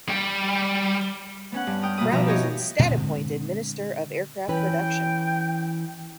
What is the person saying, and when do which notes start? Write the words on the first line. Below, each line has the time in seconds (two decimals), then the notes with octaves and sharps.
Brown was instead appointed Minister of Aircraft Production.
0.09 G3 G5
1.52 B3 C#4 F#5
1.67 G2
1.82 G5 D#6 F6
1.97 B2 A#3 B4 D#6
2.12 B2 F3 B3 E5 A#5
2.25 D#4 G4 C#5 D#5
2.79 A#2 D3 G#3 C4
4.48 E3 C#4 B4 G5